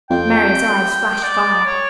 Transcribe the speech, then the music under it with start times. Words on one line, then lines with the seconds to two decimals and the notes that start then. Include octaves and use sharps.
Mary's eyes flashed fire.
0.10 F2 G5
1.24 D5
1.66 C#5